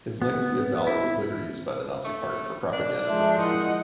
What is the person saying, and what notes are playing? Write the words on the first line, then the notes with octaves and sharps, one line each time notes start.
His legacy of valor was later used by the Nazi Party for propaganda purposes.
B3
E4
A3
D4
F3 G#3 E5 A5
D#3 E4 D#5 F#5